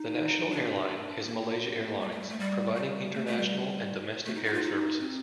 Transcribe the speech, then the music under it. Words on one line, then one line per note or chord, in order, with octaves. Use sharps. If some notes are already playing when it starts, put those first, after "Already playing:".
The national airline is Malaysia Airlines, providing international and domestic air services.
Already playing: D#4
D4
A#3
G3
A3
G3
A3
G3
G3
A3
A3
G3
A3
D#4
D#4
F4
D#4
C4